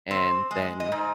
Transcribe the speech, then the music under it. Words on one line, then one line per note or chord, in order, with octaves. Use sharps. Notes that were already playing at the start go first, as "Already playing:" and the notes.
and then
C4
G#3
D#5
G#2